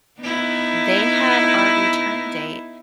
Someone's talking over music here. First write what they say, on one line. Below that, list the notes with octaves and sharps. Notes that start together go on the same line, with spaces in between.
they had our return date
B3 D#4 E4